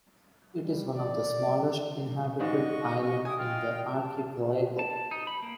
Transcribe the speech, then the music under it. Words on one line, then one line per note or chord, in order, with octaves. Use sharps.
It is one of the smallest inhabited islands in the archipelago.
G3
D5
G#2 D#3 G3 F#4 D#5 C#6
E5 G5 G#5 D#6
F4 D#5 G5
A5
A5
D#4
B5
A#3